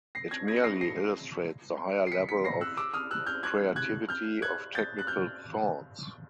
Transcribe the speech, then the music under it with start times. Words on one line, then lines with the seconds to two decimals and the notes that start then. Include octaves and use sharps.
It merely illustrates the higher level of creativity of technical thoughts.
0.15 A#6 C7
0.31 G#6 A#6
0.48 G#6 A#6
0.56 C#7
0.64 A#6 C7
0.81 A#6 C7
2.07 C7
2.12 B6 C#7
2.29 B6 C#7
2.44 A#6 C7
2.61 E6 F#6
2.77 D6 E6
2.94 D#6 F6
3.11 E6 F#6
3.26 F6 G6
3.43 F#6 G#6
3.76 F#6 G#6
4.09 F6 G6
4.42 F#6 G#6
4.75 G6 A6
4.99 F#6
5.07 F6 G6